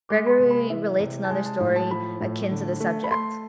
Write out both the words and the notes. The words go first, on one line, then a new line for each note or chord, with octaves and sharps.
Gregory relates another story akin to the subject.
G#3 D6
B5
C6
C3
B5
E3 E5
C3
A5
G#3 G#5
A5
A2
A5
F3 B5
A2
D3
A3
B5
A3 C6